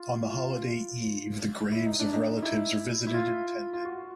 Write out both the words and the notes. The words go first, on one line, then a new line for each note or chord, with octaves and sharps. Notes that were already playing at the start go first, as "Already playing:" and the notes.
On the holiday eve the graves of relatives are visited and tended.
Already playing: F4
E4
F4
E4
D#4
D4
D#4
E4
E4
F4
F4
F#4